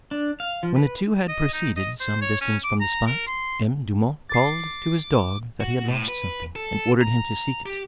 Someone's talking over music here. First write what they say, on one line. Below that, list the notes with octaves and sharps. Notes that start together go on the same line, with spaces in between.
When the two had proceeded some distance from the spot, M. Dumont called to his dog that he had lost something, and ordered him to seek it.
D4
F5
F3
B4
D#5
D#4
D#5
C5
C#5
C#4
D6
A#5
A#4
C6
D6 A6 C7
F#4
A2
B4
A4
A#5
G4